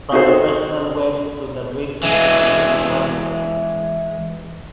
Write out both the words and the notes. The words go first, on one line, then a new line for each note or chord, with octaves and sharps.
From the personal webs to the great institutional projects.
C4 D#4 F#4 G#4 A4 C5
E3 G#3